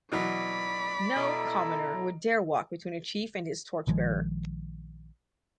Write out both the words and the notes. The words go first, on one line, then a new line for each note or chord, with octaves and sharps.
No commoner would dare walk between a chief and his torch-bearer.
B2 E3 F#3 D5 B5
B2 E4 A4 A#5
A#1 D#3 F3 G#3